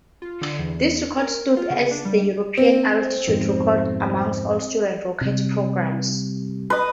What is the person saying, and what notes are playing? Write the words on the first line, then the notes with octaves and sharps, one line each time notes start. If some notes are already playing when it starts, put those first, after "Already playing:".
This record stood as the European altitude record among all student rocketry programs.
F4
D3
E2
A#4
F4
C#3
D4
G3
C4
F2 G#2 B2
C3 G3
B4 D#5